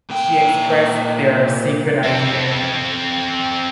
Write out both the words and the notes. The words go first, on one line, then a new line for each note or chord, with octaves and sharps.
She expressed their secret idea.
A#2 G5
C4 A4